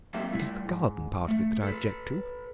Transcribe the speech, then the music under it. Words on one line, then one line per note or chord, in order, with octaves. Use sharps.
It is the garden part of it that I object to.
F#3 A#3 C4 D#4 G4 E5
G3 A3 E4
G#2
A3
A4 B4